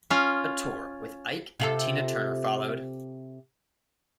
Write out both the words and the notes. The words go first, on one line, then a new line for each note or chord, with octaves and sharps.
A tour with Ike and Tina Turner followed.
C#4 F4
C3 F4 A4